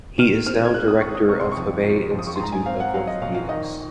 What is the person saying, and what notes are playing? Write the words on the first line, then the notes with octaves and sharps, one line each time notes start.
He is now director of Hebei Institute of Orthopedics.
D#3 F6
C4 F6
G#6
G#3 F#6
D#6
D#2 C#6
D#6
C3 C#6
C6
C#6
F2
F3
F2
D#6
C#6
C6
G#2 A#5
G#5
C4 F5
F#5
F#3 F5
D#5
A#1 F5
F5
D#3 D#5